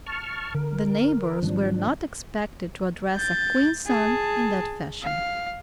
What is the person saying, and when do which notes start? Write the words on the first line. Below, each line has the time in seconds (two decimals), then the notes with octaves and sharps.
The neighbors were not expected to address a Queen's son in that fashion.
0.07 A5 C#6 F6
0.55 D3 A#4
1.43 G#2 D#3 F3 G3 C4 D4
3.17 G6 A6
3.86 G#4 A5
5.02 F5